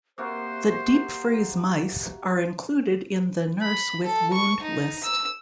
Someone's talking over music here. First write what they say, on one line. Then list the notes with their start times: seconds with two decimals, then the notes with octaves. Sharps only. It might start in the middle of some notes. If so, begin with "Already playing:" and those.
The Deep Freeze Mice are included in the Nurse with Wound list.
0.18 C3 A#3 F#4 C5
3.61 B5
4.04 A4
4.33 C#6
4.62 D#4
5.04 E6